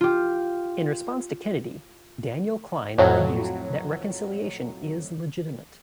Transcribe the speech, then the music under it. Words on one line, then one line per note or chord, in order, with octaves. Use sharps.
In response to Kennedy, Daniel Klein argues that reconciliation is legitimate.
F4 G4
F2 A2 F#3